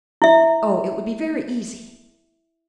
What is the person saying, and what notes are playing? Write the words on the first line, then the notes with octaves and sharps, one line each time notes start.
"Oh, it would be very easy!"
E4 E5